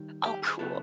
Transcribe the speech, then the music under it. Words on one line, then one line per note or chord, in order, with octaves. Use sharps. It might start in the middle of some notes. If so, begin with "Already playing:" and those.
Oh, cool.
Already playing: D#3 G3
G4
G#4
C#3 F#3 B3 E4 A4